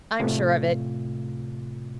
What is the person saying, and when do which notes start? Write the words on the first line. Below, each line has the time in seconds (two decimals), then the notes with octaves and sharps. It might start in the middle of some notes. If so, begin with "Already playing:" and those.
I'm sure of it.
0.20 A2 C3 A3 F4